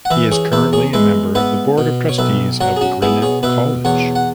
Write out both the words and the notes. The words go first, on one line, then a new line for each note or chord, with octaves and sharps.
He is currently a member of the Board of Trustees of Grinnell College.
F#5
E3 B4 E5
G#4 C#5
E2 B4 E5
G#4 C#5
G#3 B4 E5
B3 B4 E5
B2
C#5
B1 B4 E5
F#3 C#5 F#5
G#4
C#4 F#4
B3 E4 G#4
G#4 C#5
B2 B4 E5
E2 C#5 F#5
F#5